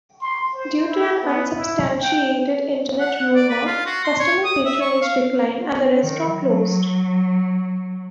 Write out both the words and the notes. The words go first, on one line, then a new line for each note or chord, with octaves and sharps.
Due to an unsubstantiated internet rumor, customer patronage declined and the restaurant closed.
C6
C5
E4
B3
E4
G5
F#5
F#5
D5
B4
F4
F#4
C6
C#5
D#6
E5
C#6
F5
D#3
F#3